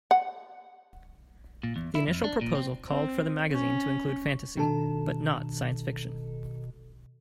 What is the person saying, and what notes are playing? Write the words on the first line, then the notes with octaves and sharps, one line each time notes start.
The initial proposal called for the magazine to include fantasy, but not science fiction.
F#5
A#2
E2
E4
F2
D4
A#2
C4
C4
C#4
B2 D#3 D4 A4 A5